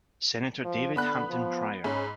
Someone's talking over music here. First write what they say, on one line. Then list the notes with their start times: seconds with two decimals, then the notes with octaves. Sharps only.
Senator David Hampton Pryor.
0.65 F3
0.96 D3 B3 B5 F#6
1.30 F3
1.84 G#2 C#4 B5